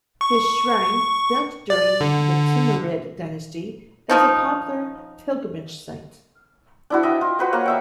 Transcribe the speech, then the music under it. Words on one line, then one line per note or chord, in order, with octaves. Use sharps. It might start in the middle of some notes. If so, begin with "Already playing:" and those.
His shrine, built during the Timurid Dynasty, is a popular pilgrimage site.
C#6
D5
D3
D#3 F3 D#4
D4 E4 F#4
D#5 E5 G5
F4
F#4 B4 C5
A#3 C#5 F#5
D#5 E5 G5